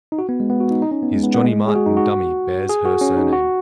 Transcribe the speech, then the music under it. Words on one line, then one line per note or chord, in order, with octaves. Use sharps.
His "Johnny Martin" dummy bears her surname.
D#4
F#4
B3
G#3
B3
F#4
D#4
D#4
C#4
B3
G#3
B3
B3
G#3
G#4
F#4
D#4
F#4
G#4
F#4
C#4
D#4
F#4